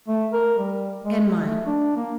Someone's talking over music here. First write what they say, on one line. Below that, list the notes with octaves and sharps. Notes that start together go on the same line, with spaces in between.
"And mine."
A3
A#4
G3
G#3
A3
D4
A#3